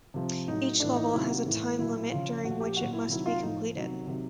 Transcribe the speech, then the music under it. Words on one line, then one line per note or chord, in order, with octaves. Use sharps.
Each level has a time limit during which it must be completed.
C3 F3
A2 F#3 D#4
A2 E3 D4
D#4
C3 D#3 F#3 E4
F#4
A2 E3
A#2 F#3 E4
E4
C#3 F3 F4
A#2 F3 F#4
G4
A#2 F#3 F#4
E4
C3 D#3 F#3 E4
F4
A2 F3 D#4
C3 D#3 F#3
C3 D#3 F#3